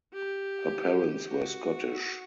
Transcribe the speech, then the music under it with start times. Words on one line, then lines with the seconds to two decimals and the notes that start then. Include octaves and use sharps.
Her parents were Scottish.
0.14 G4
1.27 F#4